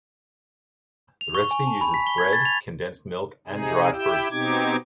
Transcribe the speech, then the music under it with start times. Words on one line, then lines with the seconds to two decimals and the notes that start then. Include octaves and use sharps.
The recipe uses bread, condensed milk, and dry fruits.
1.21 F7
1.35 C#6
1.51 G#5
1.67 A5
1.81 B5
1.94 B6
2.07 G7
2.18 G#6
2.33 A6
2.45 F7
3.47 C3 D#4 G#4
3.93 E4 G4 G5 E6
4.31 B2 C4 D#4 G4 D6 G#6